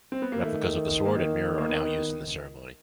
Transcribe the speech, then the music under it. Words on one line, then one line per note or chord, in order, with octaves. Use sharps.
Replicas of the sword and mirror are now used in the ceremony.
C4
B3
A#3
D#3 A3
A#3
A#3
B3